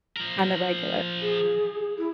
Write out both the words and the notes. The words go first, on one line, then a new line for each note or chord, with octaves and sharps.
on the regular.
F3 A#4
G#4
E4